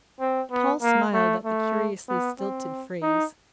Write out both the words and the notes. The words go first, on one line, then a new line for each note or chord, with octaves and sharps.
Paul smiled at the curiously stilted phrase.
C4
B3
A#3
A3
A3
B3
C4
D#4